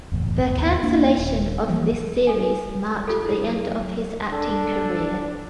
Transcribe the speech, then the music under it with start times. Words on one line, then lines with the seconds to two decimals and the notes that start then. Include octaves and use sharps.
The cancellation of this series marked the end of his acting career.
0.12 F#1 E2 A2
0.38 G#1
0.56 D#2 B3
0.83 A#3 D4
1.18 D#1
1.68 E3 F3 G3 A#3
2.27 A4 G#5
3.07 F4 G4 A4
3.25 E4 G#4
3.46 F#3
4.32 D4 A4